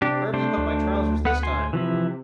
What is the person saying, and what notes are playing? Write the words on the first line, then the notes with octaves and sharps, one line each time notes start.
Where've you put my trousers this time?
C3 D4 G4
A3 D4 C5
D2
B3 F#5
G#5 C6
C3 E3 F3 E4